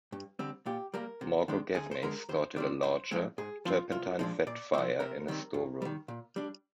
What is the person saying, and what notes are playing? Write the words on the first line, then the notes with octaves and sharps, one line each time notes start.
Margo Gaffney started a larger, turpentine-fed fire in a storeroom.
G2
D3 G3 C4
A#2 G4
G3 A#3 A#4
C3
D#3 G#3 D4
D2 G#4
C5
D3 G#3 A#4
D#2 C5
D#3 G3 C4 D5
G2 C5
F3 G#3 C4
G#2 G#4
F3 C4 F4
C2 F4
A#2 F3 G#3 D4 D#4
A#2 D5
F3 C4 C5
C3 A#4
D#3 G3 C4
G2
D#3 G3
A#2
G3 D4